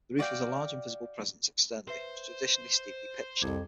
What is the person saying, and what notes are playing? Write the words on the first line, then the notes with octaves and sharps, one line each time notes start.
The roof is a large and visible presence externally and was traditionally steeply pitched.
F#4 D5 F5 G5
B4 C5 E5 C7
C2 F2 D6 G#6